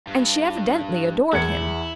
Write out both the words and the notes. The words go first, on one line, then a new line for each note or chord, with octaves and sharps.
And she evidently adored him.
G2
E2 E4 G#6 C#7